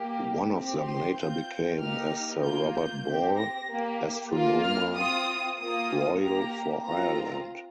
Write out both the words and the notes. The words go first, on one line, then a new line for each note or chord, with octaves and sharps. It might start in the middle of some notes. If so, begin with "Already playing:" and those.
One of them later became, as Sir Robert Ball, Astronomer Royal for Ireland.
Already playing: A#3 G4
C4 G4
C6
C4 F4 G6
A#3 D#4 G4 F6
A#3 F4 G6
G6
C4 G4
A#6
A#3 G4
A#3 F4
F6
C4 F4 D#6
A#3 F4 D#6
A#3 G4 A#5
C4 F4 A#5